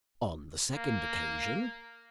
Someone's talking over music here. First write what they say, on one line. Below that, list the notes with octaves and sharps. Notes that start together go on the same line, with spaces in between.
"On the second occasion."
A#3